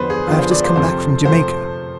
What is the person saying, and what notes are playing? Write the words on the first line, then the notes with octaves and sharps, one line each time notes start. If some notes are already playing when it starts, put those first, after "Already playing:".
I have just come back from Jamaica.
Already playing: E2 D3 F3 B4 C5
G#4
E2 D3 F3 F4
C5
D5
C5
F2 C3 F3 A3 C4 C5
C3 F3 A3 C4 C5